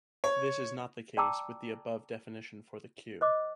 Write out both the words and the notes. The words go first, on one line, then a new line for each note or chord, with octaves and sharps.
This is not the case with the above definition for the cube.
C#5
D5 G5 A5 A#5 D6 E6
C5 D#5 D6